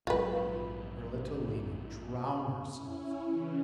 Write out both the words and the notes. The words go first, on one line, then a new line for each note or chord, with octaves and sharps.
Her little Lena drown herself!
A#1 G#2 F#3 F4 B4
C#4 E4
C#3 E3 C#4